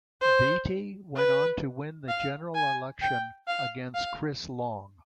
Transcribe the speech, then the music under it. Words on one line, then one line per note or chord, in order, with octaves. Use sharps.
Beatty went on to win the general election against Chris Long.
C5
B4
F5
G#5
G5
F5
F5